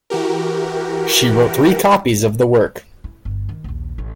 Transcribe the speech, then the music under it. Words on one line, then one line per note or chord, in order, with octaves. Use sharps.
She wrote three copies of the work.
E3 F#4 G4 A#4
E4
G1
D#3
A#1 D#2
A1